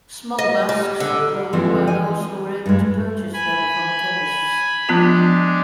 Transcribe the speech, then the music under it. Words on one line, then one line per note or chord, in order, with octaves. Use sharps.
"Smog masks" were worn by those who were able to purchase them from chemists.
D#5
G3
D3
D3 E3 F3 C4
G#5
G2 G#3
G#5 B5
F3 G#3 B3 D4 F4 G4